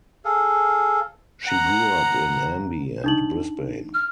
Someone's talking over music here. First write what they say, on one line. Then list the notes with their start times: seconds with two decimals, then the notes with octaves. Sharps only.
She grew up in Amby and Brisbane.
0.25 G#4 A4 F5
1.45 F#5 A#5
3.04 D4 D#4 F#7
3.94 F6